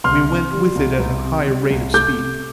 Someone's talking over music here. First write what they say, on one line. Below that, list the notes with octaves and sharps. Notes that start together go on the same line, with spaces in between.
We went with it at a high rate of speed.
C2 C6 F6
C3
G3
C2
C2
C3
G3
C2
A3 D6 G6
C3